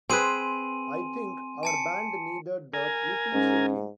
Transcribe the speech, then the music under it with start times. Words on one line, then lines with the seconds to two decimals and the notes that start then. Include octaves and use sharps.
I think our band needed that little shaking.
0.10 C4 G#4 B4 G#5 C6 D#7
1.63 G#5 A5 C#7
2.74 A#4 G#5
3.33 G#2 C#4